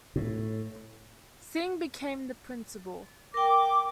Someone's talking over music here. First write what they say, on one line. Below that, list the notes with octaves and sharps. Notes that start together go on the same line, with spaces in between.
Singh became the Principal.
A2
A#4 G5 D6